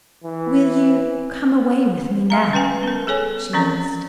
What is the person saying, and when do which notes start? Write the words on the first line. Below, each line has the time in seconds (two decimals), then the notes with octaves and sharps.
"Will you come away with me now?" she asked.
0.24 E3
2.30 G3 F5 A#5
2.53 C#4 B4 G5 G#5
2.83 B3 A#4
3.07 G#4 A4 C#5 G#5
3.53 E3 F3 C4 C#4 A#4